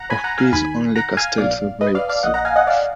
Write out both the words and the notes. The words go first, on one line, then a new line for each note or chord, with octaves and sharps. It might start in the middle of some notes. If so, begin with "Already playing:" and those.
Of these, only Castell survives.
Already playing: F#5 A#5
G#5 B5
F#5 A#5
F5 G#5
D#2 D#3 G#5 B5
F#5 A#5
F5 G#5
B1 A#2 D5 F5
B4 D#5
D5 F5
D5 F5
A#1 A#2 D#5 F#5
F#5 A#5
F5 G#5
D#5 F#5
D5 F5